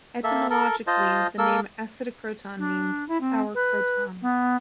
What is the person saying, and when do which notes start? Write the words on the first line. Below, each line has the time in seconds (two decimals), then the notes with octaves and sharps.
Etymologically, the name "Acidocroton" means "sour croton".
0.24 A#3 A4 E5
0.50 A4 A#4
0.87 F4 C5 D#5 A5
1.38 A#3 A4 A#4 E6
2.58 D4
3.08 E4
3.20 C4
3.54 B4
4.21 B3